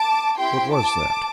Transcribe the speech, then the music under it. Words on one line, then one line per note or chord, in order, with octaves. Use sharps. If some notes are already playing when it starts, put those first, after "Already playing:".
What was that?
Already playing: A5 D6
C4 E4 G4 G5 C6
A5 D6